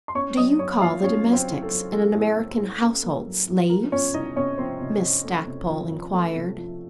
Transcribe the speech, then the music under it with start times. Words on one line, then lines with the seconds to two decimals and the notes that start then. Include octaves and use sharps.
"Do you call the domestics in an American household 'slaves'?" Miss Stackpole enquired.
0.08 C6
0.15 C#4 C#5 C#6
0.37 F#3 D#5 D#6
0.59 F#3 C#5 C#6
0.81 A#3 F4 F5
1.03 A2 C#4 C#5
1.25 F#3
1.33 C4 C5
1.48 A2
1.62 A4
1.71 F#3
1.92 A2 A4
2.15 A2
2.36 A#3
2.59 A2
2.81 C#4
3.03 A#3
3.25 F#3
3.47 A2
3.69 F3 A#4
3.92 F3 C#4 C#5
4.14 C2 D#4 D#5
4.36 C3 C#4 C#5
4.58 F3 C4 C5
4.80 C3
5.02 C3
5.24 A3
5.46 C3
5.69 F3
5.91 F3
6.13 A3
6.35 C3
6.58 F3